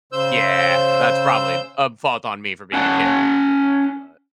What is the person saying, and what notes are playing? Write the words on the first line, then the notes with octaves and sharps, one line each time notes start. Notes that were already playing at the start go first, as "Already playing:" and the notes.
Yeah. That's probably a fault on me for being a kid and being curious. But,
C#3 C5 E6 G6
C#4 F#5 A5